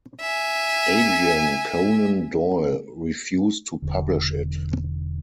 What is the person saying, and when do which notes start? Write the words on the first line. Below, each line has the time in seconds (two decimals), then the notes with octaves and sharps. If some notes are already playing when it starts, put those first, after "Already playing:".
Adrian Conan Doyle refused to publish it.
0.20 E5 G#5
3.82 E1 D3